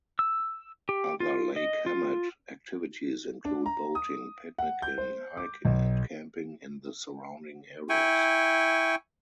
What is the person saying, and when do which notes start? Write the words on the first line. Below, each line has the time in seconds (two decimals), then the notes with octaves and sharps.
Other Lake Hemet activities include boating, picnicking, hiking, and camping in the surrounding areas.
0.19 E6
0.89 G4
1.20 F4
1.56 D#5
1.86 F4
3.45 D4
3.66 A#5
3.95 D#6
4.58 F#5
4.82 G6
4.98 C5
5.37 D6
5.65 B1
7.89 E4 G5 G#5 C#6